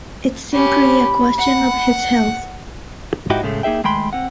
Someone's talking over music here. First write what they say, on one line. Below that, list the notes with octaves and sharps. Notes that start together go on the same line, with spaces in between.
It's simply a question of his health.
C#4 G4 B5
F#5
G#2 D#4 E4 F#4 G4
A2 C#3 G#3 A3
A#3 D#4 G#4 E5 G5
D#3 G#3 A3 G5 B5 C6
C4 F#5